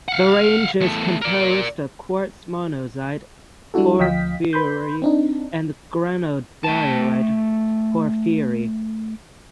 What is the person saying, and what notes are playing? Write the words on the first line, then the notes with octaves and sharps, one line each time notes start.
The range is composed of quartz monzonite porphyry and granodiorite porphyry.
F5 F#5
E2 A3
A#4 D5
G3 D4 E4 F#4 A4
D2 F3 D#5 F5 G5 B6
B4 B5 C6 G6
C4 D4 D#4
A3 G5 A5